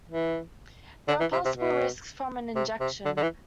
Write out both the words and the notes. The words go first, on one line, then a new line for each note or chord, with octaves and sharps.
There are possible risks from an injection.
E3
D3
E3
C3
C3
B2
C3
C3
D3
D3
E3